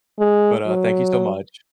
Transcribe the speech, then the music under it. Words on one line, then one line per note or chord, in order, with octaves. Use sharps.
But, uh, thank you so much
G#3
F#3